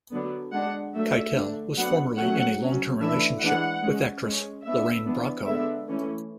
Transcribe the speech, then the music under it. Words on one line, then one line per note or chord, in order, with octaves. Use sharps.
Keitel was formerly in a long-term relationship with actress Lorraine Bracco.
D3 F#3 B3 D4
G#3 D4 F#5
F#3 A3 D4 E5
D3 A3 D4
F#3 B3 D4 F#5
F#3 A3 C#4 F#5
F#3 C#4
E3 A3 D4 E5
E3 G#3 D4 F#5
G#3 C#4
G#3 C#4
G#3 B3 D4 E5
E3 B3 D4
D3 G#3 B3 D4 E5
E3 A3 C#4